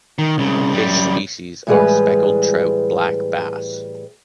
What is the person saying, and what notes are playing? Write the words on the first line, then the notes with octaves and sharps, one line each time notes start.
Fish species are speckled trout, black bass.
D#3
C2 C#3
F#2 G3
A2 E3 G3 G#3 G#4 B4